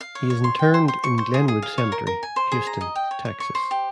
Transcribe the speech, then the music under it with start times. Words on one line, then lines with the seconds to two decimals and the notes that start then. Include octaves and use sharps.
He is interred in Glenwood Cemetery, Houston, Texas.
0.01 F5
0.15 C#5
0.30 C#5
0.44 C6
0.59 G5
0.74 C5
0.88 C5
1.04 C#6
1.18 C5
1.34 G#4
1.48 G#4
1.62 F5
1.78 C#5
1.92 A#4
2.07 A#4
2.23 G#5
2.36 C5
2.52 G#4
2.67 A#5
2.81 D#5
2.96 G5
3.11 C#5
3.25 C#5
3.40 C#6
3.55 C5
3.71 G4